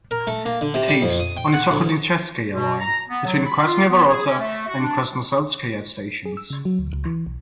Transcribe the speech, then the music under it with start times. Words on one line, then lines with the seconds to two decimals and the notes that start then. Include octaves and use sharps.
It is on the Sokolnicheskaya Line, between Krasnye Vorota and Krasnoselskaya stations.
0.11 A#4
0.27 A3
0.45 A#3
0.61 D3
0.74 C3
0.88 G3
1.02 F2
1.20 D#6
1.37 G5
1.53 F#5
1.71 D2
2.52 B2
2.79 A#5
3.09 B3
3.25 F#3
3.45 B5
3.66 F4
3.89 B3
4.09 G#4
4.25 C#4
4.39 A3
4.67 F#4
4.80 D4
6.26 G#4
6.37 E6
6.50 C#3
6.65 F#3
6.79 D2
6.93 C#2
7.05 E3
7.26 B1